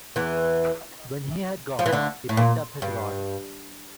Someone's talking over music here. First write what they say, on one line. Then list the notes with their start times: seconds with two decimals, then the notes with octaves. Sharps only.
When he had gone, he picked up his rod.
0.16 E2 E3
1.79 F3
1.86 E3
1.92 D2 D3
2.29 A2
2.37 A#2
2.82 G2